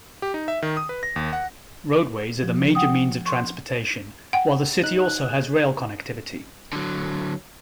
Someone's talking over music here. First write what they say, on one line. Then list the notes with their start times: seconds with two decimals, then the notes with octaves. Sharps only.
Roadways are the major means of transportation, while the city also has rail connectivity.
0.22 G4
0.34 D#4
0.48 E5
0.62 D#3
0.77 D#6
0.89 B4
1.03 A#6
1.16 D#2
1.33 F#5
2.43 F3
2.75 F#5 G5 D#6
3.26 C6 C#6
4.33 F#5 G5
4.83 D#4 F#6
6.73 D3 F#3